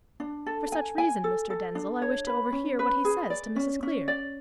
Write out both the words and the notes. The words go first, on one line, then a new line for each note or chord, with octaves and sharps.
For such reason, Mr. Denzil, I wish to overhear what he says to Mrs. Clear.
D4
A4
G#5
G#5
A4
A4
D4
C#5
B4
C#4
B4
G#4
D5
C#4
C#4
D5